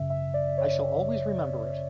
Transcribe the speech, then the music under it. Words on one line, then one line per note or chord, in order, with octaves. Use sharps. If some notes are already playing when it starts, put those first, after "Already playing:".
I shall always remember it.
Already playing: G#1 F#2 C#3 E5
E5
D5
C#5